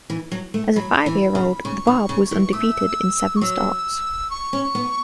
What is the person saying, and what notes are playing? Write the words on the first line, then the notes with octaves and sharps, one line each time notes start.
As a five-year-old The Barb was undefeated in seven starts.
E3
F#3
A3
F#3 B5
E3
C#3
C#3 C#6
C#3
C#3
E3
A3 E6
C#6
F#3 E6
C#6
C#4
B3